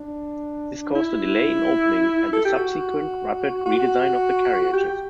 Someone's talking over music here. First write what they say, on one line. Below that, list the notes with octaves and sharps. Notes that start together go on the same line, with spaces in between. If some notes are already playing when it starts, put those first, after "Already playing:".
This caused a delay in opening, and a subsequent rapid redesign of the carriages.
Already playing: D4
E4
A4
G4
F#4
F#4
G4